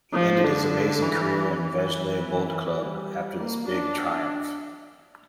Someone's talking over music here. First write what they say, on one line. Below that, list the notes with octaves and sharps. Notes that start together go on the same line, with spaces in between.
He ended his amazing career in Vejle Boldklub after this big triumph.
F3
D3
E3
E3
G3
A#3
D4